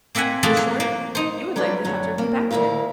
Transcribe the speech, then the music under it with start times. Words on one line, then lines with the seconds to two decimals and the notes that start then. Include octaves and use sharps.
'In short, you would like the Heptarchy back again.
0.15 A#3 C4 E5 F#5 G#5
0.43 A3 A#3 F4 F#4 G#4 A4
0.57 F#3
0.80 A#3
1.15 D#4 C5
1.56 F#3 G3 D4 B4 D#5
1.85 F#2 D3 F#3
2.18 A#3
2.51 D2 A#2 E4 A#4 F5